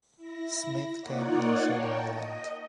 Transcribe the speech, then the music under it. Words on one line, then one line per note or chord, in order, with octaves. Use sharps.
Smyth came and I showed him around.
E4 A#6
A#3 D#4 F4 C#5 D5 F#5
A#4 C#5 G5 A5 A#5
D#5